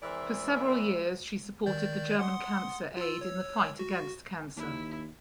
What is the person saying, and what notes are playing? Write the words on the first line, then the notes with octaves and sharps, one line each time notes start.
For several years she supported the German Cancer Aid in the fight against cancer.
E3 G#3 C4 A#4 D5 E5
D#3 D5 G6
F#5 C6 D#6
F4 E6
C#5 E6
F#4
D#2 E4